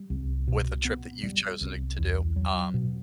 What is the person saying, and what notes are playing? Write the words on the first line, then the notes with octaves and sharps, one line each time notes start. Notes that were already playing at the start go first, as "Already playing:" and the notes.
with a trip that you've chosen, eh, to do. Um,
Already playing: G3
C2
B2
B3
G3
C2
E2
F#3
B2